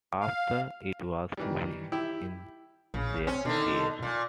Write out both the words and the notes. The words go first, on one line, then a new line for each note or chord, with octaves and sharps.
After, it was to be in their care.
F5
D#3 E3 G3
E4 G4 E5
A#1 C#3
C4 C#4
B2 D3 D#3
A#2